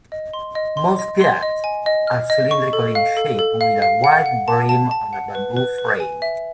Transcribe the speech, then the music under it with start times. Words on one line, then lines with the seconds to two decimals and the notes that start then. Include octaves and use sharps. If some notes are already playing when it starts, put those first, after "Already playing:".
Most "gat" are cylindrical in shape with a wide brim on a bamboo frame.
0.12 D#5
0.33 C6
0.55 D#5
0.77 C6
0.99 D#5
1.21 C6
1.43 D#5
1.64 G#5
1.86 D#5
2.07 F6
2.30 D#5
2.51 C#6
2.73 A4
2.95 F5
3.17 A4
3.39 A4
3.61 F5
3.82 F5
4.04 F#5
4.26 F#5
4.48 A5
4.69 A5
4.91 A5
5.13 F#5
5.35 B4
5.57 B4
5.79 B4
6.00 G#5
6.22 E5